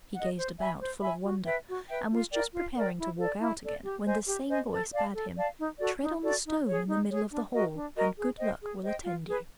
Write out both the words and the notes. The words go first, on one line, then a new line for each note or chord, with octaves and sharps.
He gazed about, full of wonder, and was just preparing to walk out again when the same voice bade him: 'Tread on the stone in the middle of the hall, and good luck will attend you.'
D#5 F#5
C5
E5 G#5 B5
C5
E5 G#5 B5
F#4
B4 E5 G5
F#4
B4 E5 G5
F4
A#4 D5 G5
F4
A#4 D5 G5
E4
A4 D5
E4
A4 D5
G4
C5 D#5 G#5
G4
C5 D#5 G#5
A4
D5 F5 A5
A4
D5 F5 A5
D#4
F#4 A4 D5
D#4
F#4 A4 D5
D#4
G#4 C#5
D#4
G#4 C#5
D4
F#4 A#4 D#5
D4
F#4 A#4 D#5
G#4
C5 D#5 G5
G#4
C5 D#5 G5
F4
G#4 B4